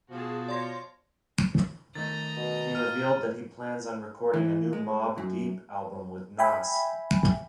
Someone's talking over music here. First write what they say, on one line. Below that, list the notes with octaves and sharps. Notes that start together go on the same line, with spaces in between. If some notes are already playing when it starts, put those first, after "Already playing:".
He revealed that he plans on recording a new Mobb Deep album with Nas.
B2 F3 F#4 G#4 A5
C#5 D5 C6 A#6
D#3 A3 D#5 A#5 A6
B2
A#2 F6 D#7
E3
G#3
F#2
E5 G5 G#5 B5